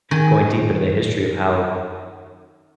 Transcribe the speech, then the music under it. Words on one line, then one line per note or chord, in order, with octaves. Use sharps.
going deep into the history of how,
D#3 G#5